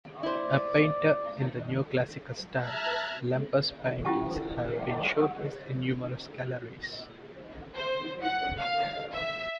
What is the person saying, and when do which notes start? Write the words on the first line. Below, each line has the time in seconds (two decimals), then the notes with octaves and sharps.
A painter in the neoclassical style, Lemper's paintings have been showcased in numerous galleries.
0.23 E4 C5 D5
2.57 E5 A5 A#5 F6 F#6 G#6
4.05 C#4 E4 F4 G4 F#5 A5
7.76 C5
8.22 F#5
8.59 F5
9.12 E5